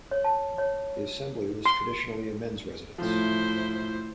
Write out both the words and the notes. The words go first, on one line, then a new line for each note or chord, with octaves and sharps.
The Assembly was traditionally a men's residence.
C#5
A5
C#5
C6
A2 F3 E4 C5